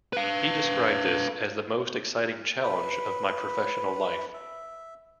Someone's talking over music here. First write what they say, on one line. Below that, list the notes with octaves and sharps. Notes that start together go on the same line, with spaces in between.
He described this as "the most exciting challenge of my professional life".
B4 F5
B4 B5
E5